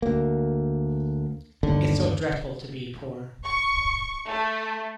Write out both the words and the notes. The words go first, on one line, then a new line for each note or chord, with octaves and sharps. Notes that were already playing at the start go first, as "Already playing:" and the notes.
It's so dreadful to be poor!
D2 A#3
G1 D#2 D3
C#6
A3